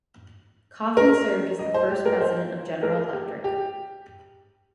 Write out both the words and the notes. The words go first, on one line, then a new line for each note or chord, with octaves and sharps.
Coffin served as the first president of General Electric.
A#4
D#5
C5
G4
A#4
C5
A#4
G4
G4